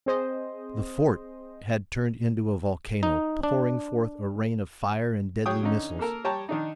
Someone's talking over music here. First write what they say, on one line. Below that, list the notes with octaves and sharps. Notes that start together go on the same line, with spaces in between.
The fort had turned into a volcano, pouring forth a rain of fire and deadly missiles.
C4 G#4 C5 D#5
D#4
D4
F#3 G#4 C#5 G5 D#6
D3 C#4 D#4
A#3 A4 A#4
G3 C#5 G5 A5 A#5
D#3 D4 D#4